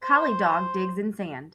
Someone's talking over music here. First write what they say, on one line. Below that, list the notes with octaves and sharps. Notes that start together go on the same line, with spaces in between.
Collie dog digs in sand.
C5